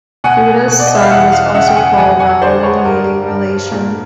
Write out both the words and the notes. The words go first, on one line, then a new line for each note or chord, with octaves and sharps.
Buddha's son was also called Rahul, meaning "relation".
B2 F#5 G#5
B2
D5
D#5
E5
F5
E2 E5 F#5
D#5 F5
C#3 E5 F#5
G5
F#5 G#5
F2 F#5 G#5
F#5 G#5
D3 C5 D5
B4 C#5
G2 A#4
G2
A#2